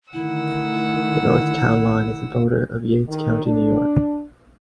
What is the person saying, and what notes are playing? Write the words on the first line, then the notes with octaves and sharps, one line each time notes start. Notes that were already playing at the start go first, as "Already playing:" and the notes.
The north town line is the border of Yates County, New York.
D3 D#3 A3 E4 F#5 E6
D#3
D4